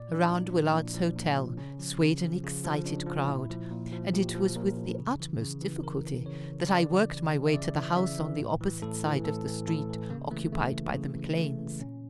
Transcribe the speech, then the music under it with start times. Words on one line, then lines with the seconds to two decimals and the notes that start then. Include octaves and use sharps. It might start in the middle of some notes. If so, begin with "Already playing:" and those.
Around Willard's hotel swayed an excited crowd, and it was with the utmost difficulty that I worked my way to the house on the opposite side of the street, occupied by the McCleans.
Already playing: A#2 D5
0.09 F3 D4
0.22 E4
0.30 A#2 F4
0.51 F3 D4
0.72 A#2
0.94 F3
1.16 A#2
1.36 F3
1.57 C#3 C#4
1.79 F3
2.00 C#3
2.21 F3
2.43 C#3
2.64 F3
2.85 C#3 D4
3.06 F3
3.28 A#2 E4
3.50 F3
3.71 A#2
3.92 F3
4.13 A#2 G4
4.35 F3
4.56 A#2 A#4
4.77 F3
4.98 C#3
5.20 E3
5.41 C#3
5.62 E3
5.83 C#3 A#4
6.05 E3
6.26 C#3 C#5
6.47 E3
6.69 C#3 D5
6.90 E3
7.11 C#3
7.33 E3
7.46 E5
7.54 C#3 D5
7.75 E3 E5
7.96 C#3 E5
8.19 E3
8.40 A2
8.61 E3
8.82 A2 A4
9.04 E3
9.24 A2 A4
9.46 E3
9.67 A2 A4
9.89 E3
10.10 C#3 A#3
10.31 E3 A3
10.52 C#3 A3
10.74 E3
10.95 C#3
11.16 E3
11.37 C#3 A3
11.59 E3
11.80 A#2 C#4